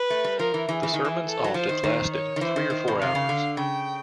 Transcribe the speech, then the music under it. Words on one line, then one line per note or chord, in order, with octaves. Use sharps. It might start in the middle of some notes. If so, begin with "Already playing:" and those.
The sermons often lasted three or four hours.
Already playing: B4
A3
G3
F3 A#4
E3
E3 G#4
E3
D#3
E3
A4
F#3
F3 C5
D#3
D#3
C#5
D#3
E3 C5
D#3
D#3
B2
C3 F5
C#3
D3
C#3 G5